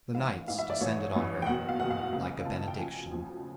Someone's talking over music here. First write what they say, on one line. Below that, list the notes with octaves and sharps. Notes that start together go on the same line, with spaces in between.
The nights descended on her like a benediction.
A1 G#2 E3 F5
A1 G#2 E3 F5
E5
D5
A1 G2 E3 C#5
A1 G2 E3
G5
F#1 E2 B2 F#5
F5
F#1 E2 B2 F#5
F5
F#5
C#2 C#3 E3 F5
C#2 C#3 E3 A5
G5
D2 C#3 F3 G#5
D2 C#3 F3